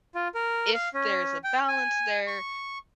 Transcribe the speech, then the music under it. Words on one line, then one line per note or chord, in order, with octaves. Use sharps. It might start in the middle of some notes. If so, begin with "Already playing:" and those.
if there's a balance there
F4
A#4
F5
C#4
G5
G#5
C#6